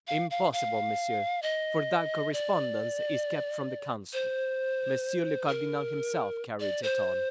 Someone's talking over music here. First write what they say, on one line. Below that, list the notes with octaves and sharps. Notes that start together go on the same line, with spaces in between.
"Impossible, monsieur, for that correspondence is kept from the council; monsieur le cardinal himself carried it on."
F5
F5
F5
D#5
D5
C5
A#4
D5
C5